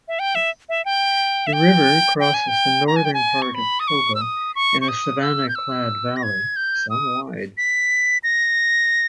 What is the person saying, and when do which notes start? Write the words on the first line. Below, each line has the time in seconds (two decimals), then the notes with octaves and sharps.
The river crosses the northern part of Togo in a savannah-clad valley some wide.
0.08 E5
0.19 G5
0.35 E5
0.69 E5
0.85 G5
1.47 E5
1.53 G5
2.20 G5
2.34 G#5
2.48 G5
2.87 A#5
2.96 G#5
3.05 G5
3.14 G#5
3.42 C#6
3.54 B5
3.80 D#6
3.88 C#6
4.15 E6
4.21 D#6
4.55 C#6
4.81 C#6
4.88 D#6
5.22 E6
5.49 G6
5.55 E6
6.16 A#6
6.23 G#6
6.56 G6
6.90 D#6
7.58 B6
8.24 A#6